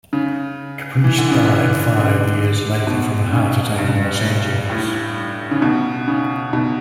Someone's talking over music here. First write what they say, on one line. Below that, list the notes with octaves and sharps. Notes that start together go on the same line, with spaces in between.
Caprice died five years later from a heart attack in Los Angeles.
C#3
E3
D3
C#3
D3
D3
B2
C#3
G2
A2
C#3
B2
C#3
B2